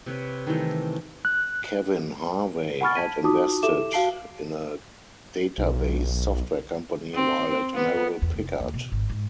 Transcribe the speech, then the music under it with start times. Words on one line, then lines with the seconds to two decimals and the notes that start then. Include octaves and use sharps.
Kevin Harvey had invested in a database software company while at Merrill Pickard.
0.06 C3 B4 C#5
0.47 D#3 E3 G3 A3
1.25 F#6
2.81 F#5 G#5 B5 C#6 F6 A6
2.95 A5 G#6 B6 D#7
3.23 D#4 F4 F#4 A5 D6 D#6
3.63 E4 G4 A4 E5 D6 E7
3.92 F#4 F5 A5 C7 D7
5.58 B1
7.14 C4
7.74 B3
8.22 E2
8.34 F1
8.61 D#2
8.74 B2
8.92 G#1
9.10 G#2